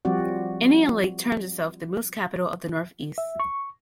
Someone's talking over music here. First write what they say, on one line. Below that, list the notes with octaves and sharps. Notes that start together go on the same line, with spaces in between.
Indian Lake terms itself the Moose capital of the Northeast.
F3 G3 C4 F#4 D5
E5
C#6